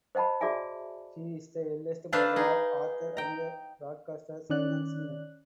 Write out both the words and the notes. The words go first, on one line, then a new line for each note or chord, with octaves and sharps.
He is the eldest brother of author and broadcaster Simon Singh.
C5 D#5 F#5 A5 B5
F#4 G#4 D5 E5 G#5
D4 B4 C5 E5 F5 A5
D#4 G#4
G5 A#5
D#3 C#4 D5 F#6